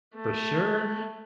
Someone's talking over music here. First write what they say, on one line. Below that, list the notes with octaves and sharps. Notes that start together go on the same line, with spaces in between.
For sure,
A3